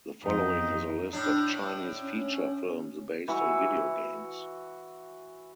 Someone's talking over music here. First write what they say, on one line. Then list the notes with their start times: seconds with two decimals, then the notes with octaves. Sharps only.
The following is a list of Chinese feature films based on video games.
0.24 F2 D#4
1.13 A2 D4
2.01 C#4
3.28 E3 F#4 B4 E5